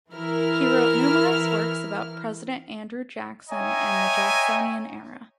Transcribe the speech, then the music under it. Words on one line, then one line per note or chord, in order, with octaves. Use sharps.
He wrote numerous works about President Andrew Jackson and the Jacksonian Era.
E3 E4 A#4 F6
C#5 D#5 E5 G5 G#5 A#5